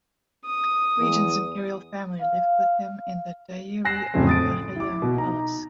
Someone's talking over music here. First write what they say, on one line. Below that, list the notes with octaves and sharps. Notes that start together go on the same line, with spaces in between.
Regien's Imperial family lived with him in the Dairi of the Heian Palace.
D#6
E2
F5
G#5 F#6 A#6 C7 E7
F2 A2 C#3 F#3 A3 C4
D#6 A6 D7
E4 D6
B2
D#4 A#5